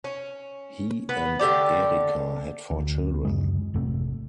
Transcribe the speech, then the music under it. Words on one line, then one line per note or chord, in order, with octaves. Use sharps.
He and Erika had four children.
C#4
B3 B4
D3 A3 G4 D5
D2
D1 F#2 C#3 G#3
G#1 F2 C3 A3